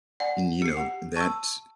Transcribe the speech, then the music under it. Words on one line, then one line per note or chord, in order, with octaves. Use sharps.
and, you know, that
D5 F#5 G#5
G4 C7 C#7
G4 F#5
A5 C#6 E6